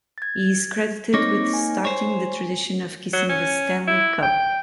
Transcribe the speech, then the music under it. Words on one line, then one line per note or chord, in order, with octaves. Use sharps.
He is credited with starting the tradition of kissing the Stanley Cup.
G#6 A6
A#3 C4 D#4 C#5 D6 A#6
G#5
C5 C#5
F#3
C#4
E4
G5